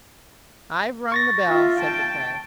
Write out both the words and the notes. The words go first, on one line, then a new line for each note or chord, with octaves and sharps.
"I've rung the bell," said De Craye.
C#6 A6 A#6
F4 E5
G5 A5